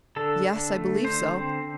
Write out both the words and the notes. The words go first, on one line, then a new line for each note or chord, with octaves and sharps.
"Yes; I believe so."
D3 A4
D3
A3
D3 C5
C4